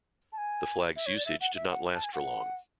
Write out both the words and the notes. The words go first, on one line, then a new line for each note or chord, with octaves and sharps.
The flag's usage did not last for long.
A5
G#5
E5
C#5
D5
E5
F#5
E5
F#5
A5
G#5
F#5